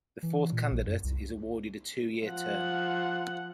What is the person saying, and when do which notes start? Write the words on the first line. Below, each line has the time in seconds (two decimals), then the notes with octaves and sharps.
The fourth candidate is awarded a two-year term.
0.23 E3
0.52 A#2
0.71 A#1
0.87 F#2
1.04 C2
2.26 F3 F#5